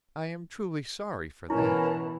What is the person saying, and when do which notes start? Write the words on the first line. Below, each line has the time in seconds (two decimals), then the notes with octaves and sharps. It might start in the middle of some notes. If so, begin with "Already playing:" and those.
"I am truly sorry for that."
1.50 B2 E3 C#4 E4 A#4 A5